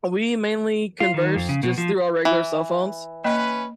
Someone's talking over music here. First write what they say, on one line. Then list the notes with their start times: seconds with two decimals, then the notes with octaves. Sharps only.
we mainly converse just through our regular cell phones.
1.00 F4
1.14 D#3
1.36 F2
1.49 C#3
1.63 B2
1.78 F3
2.25 E3
3.24 A#3 C#4 B4 D#5 G5